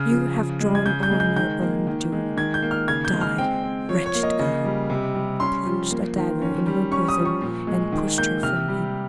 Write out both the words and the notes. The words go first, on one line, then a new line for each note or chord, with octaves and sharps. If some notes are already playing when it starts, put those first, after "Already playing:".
"You have drawn on your own doom--die, wretched girl!" plunged a dagger in her bosom, and pushed her from him.
Already playing: C#3 F6
F3
F3
G#3
G#6
C#3 G6
G6
G#3
G6
D#3 G6
A#3
D#3
G#3
D#3 G#6
G6
A#3
F6
C#3 G#6
G6
G#3
F6
C4 G5
C4
F3 C#5
C#5
A#3
D#5
C#3 D#5
G3
C3
G3
C#4 C6
F3
A#3
D#3
C#4
G3
C#4 C#6
D#6
F3
C#6
A#2
G#3
D#3
A#3 G6
C3 F6
G3